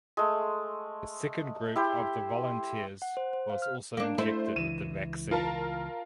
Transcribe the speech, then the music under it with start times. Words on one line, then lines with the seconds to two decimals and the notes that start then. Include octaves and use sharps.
The second group of the volunteers was also injected with the vaccine.
0.17 G#3 A3
1.76 E4 G4 C5
3.02 F#5
3.17 C5
3.33 C5
3.50 F5
3.62 F6
3.97 A#3 D4
4.18 A3 E4 C5
4.56 C#2 E3 D#7 E7
5.31 F4 A#4 A5